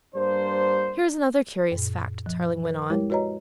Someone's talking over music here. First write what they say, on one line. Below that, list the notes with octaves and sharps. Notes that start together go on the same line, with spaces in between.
"Here is another curious fact," Tarling went on.
G2 G3 A#3 D4 C5
F#2 A#2
F3
B4
G#3 E4 G4 A#4 C#5
F#4 B4 C#5 D#5 A#5